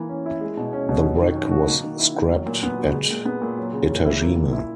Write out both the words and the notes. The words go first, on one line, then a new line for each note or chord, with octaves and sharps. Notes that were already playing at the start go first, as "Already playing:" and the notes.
The wreck was scrapped at Etajima.
Already playing: E3 A#3
C#4
E4
G#3
B2
C#4
B2
F#3
D#3
C#4
F#4
A#3
D#3
E4
D#3
F#3
A#2
B3
F#4
G#3
A#2
B3
A#2
F#3
C#3
C#4
E4
A#3
A#2
E4